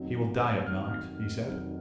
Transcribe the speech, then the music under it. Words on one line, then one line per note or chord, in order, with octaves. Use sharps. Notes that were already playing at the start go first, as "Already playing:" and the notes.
"He will die at night," he said.
Already playing: F1 F2 D#3 F#3
F1 F2 D#3 F#3 F6
F1 F2 D#3 F#3